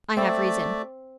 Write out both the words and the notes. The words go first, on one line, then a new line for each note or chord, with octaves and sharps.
I have reason.'
A3 C4 D5 E5